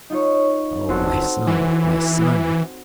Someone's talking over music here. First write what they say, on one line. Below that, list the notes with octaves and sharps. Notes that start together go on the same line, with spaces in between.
Oh, my son, my son!
D#4 F4 C#5
G1 C4 F#4 A4
E3